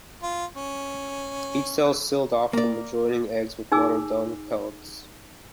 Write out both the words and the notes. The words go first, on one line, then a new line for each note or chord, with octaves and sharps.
Each cell is sealed off from adjoining eggs with mud or dung pellets.
F4
C#4
A#3 D5
D#4 G#4 G#5 D6 E6